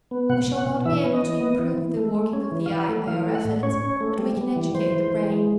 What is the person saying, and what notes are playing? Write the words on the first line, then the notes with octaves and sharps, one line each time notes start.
We shall not be able to improve the working of the eye by our efforts, but we can educate the brain.
B3
B2 F#5
B2
F#5
B2
E3 E5
B3
D#5
E3
B3
E3
E3
A3
A3
C#4
E3
F5
E3
F#5
A3
E3 F5
A3
F#5
A2
C#4 C#5
C#4
A3
G3
G3
E3
E3 C5
E3
E3
G#3